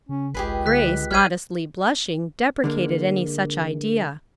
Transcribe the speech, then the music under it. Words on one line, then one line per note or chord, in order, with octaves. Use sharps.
Grace, modestly blushing, deprecated any such idea.
C#3 C#4
G#1 C#2 G4 G#4 B4
D3 F#6 B6
A1 G3 C5 F6 G#6 D#7
D3 G#3 A#3